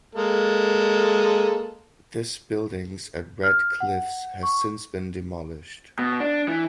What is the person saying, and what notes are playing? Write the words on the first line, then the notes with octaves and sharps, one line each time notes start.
This buildings at "Red Cliffs" has since been demolished.
G#3 A#3 A4
F6
F#5
C#6
B2
D4
E3